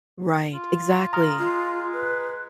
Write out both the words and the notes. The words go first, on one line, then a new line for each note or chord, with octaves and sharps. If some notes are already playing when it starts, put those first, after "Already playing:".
Right, exactly,
F4
A#5 D#6 F6
G#3 F4
B4